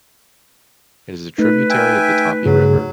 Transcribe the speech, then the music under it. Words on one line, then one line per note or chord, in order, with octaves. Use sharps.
It is a tributary of the Tapi River.
A3 D#4 B4
E5 G5 G#5
G2 C#3 F#3 G#4